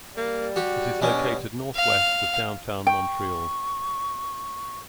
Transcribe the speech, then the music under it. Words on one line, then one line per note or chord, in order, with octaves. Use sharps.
It is located northwest of downtown Montreal.
G3 A#3
F#4 G4
B2 C#4 D4
F5
G5 C#6